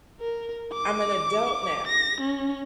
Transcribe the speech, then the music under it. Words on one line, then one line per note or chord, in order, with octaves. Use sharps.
I'm an adult now
A#4
D6
A#6
C#4